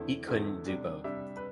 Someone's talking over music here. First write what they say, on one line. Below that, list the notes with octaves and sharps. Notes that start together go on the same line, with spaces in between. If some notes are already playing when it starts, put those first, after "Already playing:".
He couldn't do both.
Already playing: E2 D3 A3 C4 E4 A4
E2 D3 A3 C4 E4
C3 G3 D4
C3 G3 D4 E5
B4